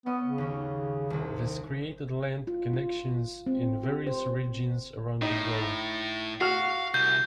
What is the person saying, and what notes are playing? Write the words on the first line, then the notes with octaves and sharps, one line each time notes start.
This created land connections in various regions around the globe.
B3 C#4 D#5
C#3
D#2 C#4
D#1 C2
F4
F4
C4
G4
C5
A2 D#4
F#4 F5 F6
C2 G6